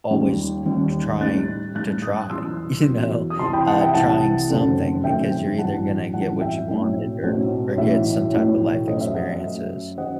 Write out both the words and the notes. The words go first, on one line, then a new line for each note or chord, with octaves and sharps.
always tr trying to try, you know? Uh, trying something because you're either gonna get what you wanted or or get some type of life experiences.
D#2 D#3 G3
D#2 D#3 G3
A2 G3 D#4 F#6 A6
A2 G3 D#4 F#6 A6
D#6 F#6
E2 B2 F#3 B3 E4 C6 E6
E2 B2 F#3 B3 E4
D#6
C2 C3 E3 A5 C6
G5 B5
F#5 A5
E5 G5
C2 C3 E3 F#5 A5
F#1 F#2 D#3 A3 C4
F#1 F#2 D#3 A3 C4 E5 G5
A1 G2 F#3 C4 E4 F#5 A5
A1 G2 F#3 C4 E4 F#5 A5
E5 G5
B1 A2 F#3 C4
B1 A2 F#3 C4
B1 A2 E3 E5
B1 A2 E3
F#2 F#3 A3 D#5
E5
D#5 F#5
E5
F#2 F#3 A3
D#3 F#3 D#5 F#5